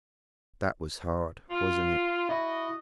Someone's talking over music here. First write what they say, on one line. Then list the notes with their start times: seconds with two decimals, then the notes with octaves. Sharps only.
That was hard, wasn't it?
1.49 F4
2.29 E4 F#4 D#5